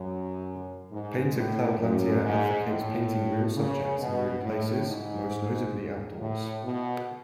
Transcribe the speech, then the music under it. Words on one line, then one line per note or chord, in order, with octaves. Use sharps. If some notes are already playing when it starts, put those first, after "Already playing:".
Painter Claude Lantier advocates painting real subjects in real places, most notably outdoors.
Already playing: F#2
G#2
A2
F#2
G#2
A2
C#3
B2
A2
G#2
A2
B2